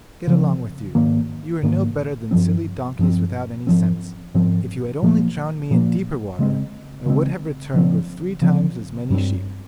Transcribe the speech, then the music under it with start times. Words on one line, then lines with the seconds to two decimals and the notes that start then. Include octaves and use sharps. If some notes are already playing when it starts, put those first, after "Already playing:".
'Get along with you--you are no better than silly donkeys without any sense; if you had only drowned me in deeper water I would have returned with three times as many sheep.'
0.27 C#3 F3 C4
0.95 G#2 D#3 A#3
1.63 G#2 D#3 A#3
2.31 G2 F3 C4
2.99 G2 F3 C4
3.67 G#2 F3 C4
4.35 G#2 F3 C4
5.02 A#2 F3 A#3
5.71 A#2 F3 A#3
6.39 C#3 G#3 C4
7.06 C#3 G#3 C4
7.74 C#3 F3 C4
8.42 C#3 F3 C4
9.10 G2 G3 C4